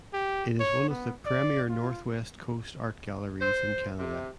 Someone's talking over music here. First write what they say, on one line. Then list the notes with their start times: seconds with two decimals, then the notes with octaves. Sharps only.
It is one of the premier Northwest Coast art galleries in Canada.
0.14 G4
0.60 C#5
0.90 B3
1.26 D5
1.69 F4
3.41 C5
3.99 C3